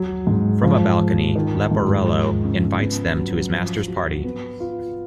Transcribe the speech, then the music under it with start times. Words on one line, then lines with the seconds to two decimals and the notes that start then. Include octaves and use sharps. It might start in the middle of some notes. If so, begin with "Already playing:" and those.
From a balcony, Leporello invites them to his master's party.
Already playing: F#3
0.27 G#2
0.63 F3
0.99 F3
1.36 D#3
1.71 G#2
2.07 F3
2.44 C#3
2.80 B3
3.16 F#3
3.52 F3
3.88 F#4
4.24 B3
4.60 F4